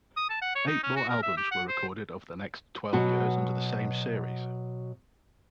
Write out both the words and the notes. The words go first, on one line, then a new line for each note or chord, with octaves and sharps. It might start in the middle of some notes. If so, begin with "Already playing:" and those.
Eight more albums were recorded over the next twelve years under the same series.
D#6
A5
F#5
C#5
D#4
C#4
F#4
A#4
E5
G4
F#5
C5
B2 F#3 F#4 B4